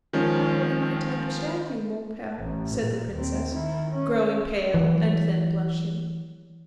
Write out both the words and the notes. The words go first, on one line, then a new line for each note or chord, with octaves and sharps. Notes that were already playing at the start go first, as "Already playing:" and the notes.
"How am I to understand you, mon pere?" said the princess, growing pale and then blushing.
D#3 F3 G#3 C#4
A1
A#2
D#2 C4
D#3 E4
C#4
E3 F#3